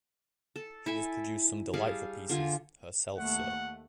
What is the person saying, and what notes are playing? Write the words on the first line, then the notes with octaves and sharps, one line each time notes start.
She has produced some delightful pieces, herself, sir.
A4
E4 A4 G#5
G3 G#4 A4 F5
D3 F4 G#5
D#2 A3 F#5